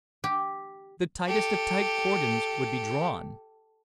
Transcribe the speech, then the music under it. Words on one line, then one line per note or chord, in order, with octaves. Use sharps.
The tightest of tight cordons would be drawn.
G4
G4 A4